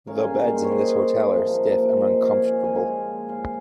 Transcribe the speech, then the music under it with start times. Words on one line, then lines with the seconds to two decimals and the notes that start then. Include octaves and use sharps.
The beds in this hotel are stiff and uncomfortable.
0.07 C#3 G3 A#3 A#4 C#5
0.23 F5 G#5
0.39 D#5 G5
0.55 C5
0.64 C#5
0.71 C5 D#5
1.36 C3 F3 A#3
2.01 C5 D#5
2.21 C#5 F5
2.43 F5 G#5
2.64 A#2 G#3 C4 F5 G#5
3.28 F5 G#5